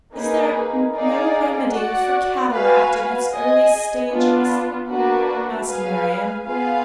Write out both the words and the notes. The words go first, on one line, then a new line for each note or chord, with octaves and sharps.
'Is there no remedy for cataract in its early stages?' asked Marian.
A#3 D#4 G#4 B4
D#4 G#4 D5 F5
F#4 D5 F#5
F#4 B4 F5 G#5
G#4 D#5 G#5
B3 D4 F4
A#3 D4 F#4 B4
G#4 B4 F5 G#5
B3 F4 G#4 B4 F5